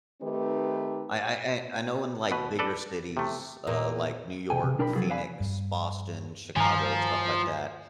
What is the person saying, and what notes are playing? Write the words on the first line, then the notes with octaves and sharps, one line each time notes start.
I I I I know in, like, bigger cities, uh, like New York, Phoenix, Boston, Chicago, stuff like that,
D#3 A3 C4 D#4 G4 B4
B2 B4
A4 B4 D5
C3 A3
A#2
C3 G5 G#5
C3
B1 D4 A#4 G5 A#5 B5
C3 F3 F#3 G#4 A4
B4 D5 F5 G#5 B5
G2
G2 D#3 F3 G#5 A#5